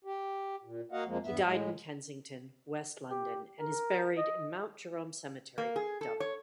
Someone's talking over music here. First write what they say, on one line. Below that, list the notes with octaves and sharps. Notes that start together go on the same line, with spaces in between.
He died in Kensington, west London and is buried in Mount Jerome Cemetery, Dublin.
G4
A#2
A#3 F#4 D#5 F5 F#5
F2 F3 G#3 A#3
E2 G2 B3 E5
A2 G#3
G4
A#4
D#5
A#3
G#4
A4
C#5